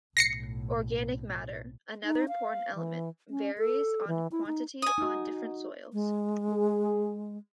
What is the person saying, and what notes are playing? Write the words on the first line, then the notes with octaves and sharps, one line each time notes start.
Organic matter, another important element, varies on quantity on different soils.
B1 A2 A#6 C7 C#7
D#4
F5
E3
C#4
A4
E3
E4
D#4
G#5 D#6
D#4 F#4
G#3
G#4